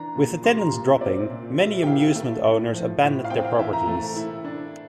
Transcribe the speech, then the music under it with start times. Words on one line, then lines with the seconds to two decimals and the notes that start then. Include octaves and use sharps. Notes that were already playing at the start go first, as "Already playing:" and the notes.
With attendance dropping, many amusement owners abandoned their properties.
Already playing: E3 D4 A#5
0.15 A#2
0.43 G3 C6
0.58 A#5
0.72 A#2
0.87 E5
1.01 C4 D5
1.29 A#2
1.58 G3 E5
1.83 G5
1.87 E4 F5
2.15 A3
2.45 A2
2.73 F3
3.02 A2
3.24 F5
3.30 C4 G5
3.45 F5
3.59 E3 E5
3.73 A#5
3.87 A3
4.16 E4
4.44 D4